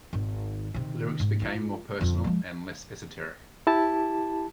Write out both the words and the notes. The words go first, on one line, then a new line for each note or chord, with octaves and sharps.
Lyrics became more personal and less esoteric.
G#1 D#3
C3 D#3
G#2
D#4 F4
F2 D3
F3 G#3
E4 G4 A5